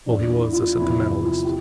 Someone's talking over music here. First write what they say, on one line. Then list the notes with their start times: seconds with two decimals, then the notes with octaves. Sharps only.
Well, he was a sentimentalist.
0.06 E2 E3 D4
0.30 E4
0.53 F4
0.76 E2 C3 F3 E4
0.98 E4
1.21 F4
1.45 G4